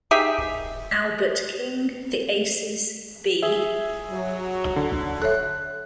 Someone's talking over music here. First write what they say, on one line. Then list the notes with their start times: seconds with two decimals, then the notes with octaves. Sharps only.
Albert King, The Aces, B.
0.11 D#4 G4 G#4 E5
3.43 G#4 E5
4.09 F#3
4.76 D3
5.22 A4 C#5 E5 F#6